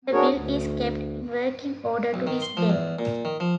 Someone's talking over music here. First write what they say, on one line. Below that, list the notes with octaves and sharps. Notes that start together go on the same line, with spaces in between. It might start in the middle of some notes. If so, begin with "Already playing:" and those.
The mill is kept in working order to this day.
D4 F#4 G#4 A#4 C#5
D2
B1
D#3
C6
F3
E2
A#2
D#3
F3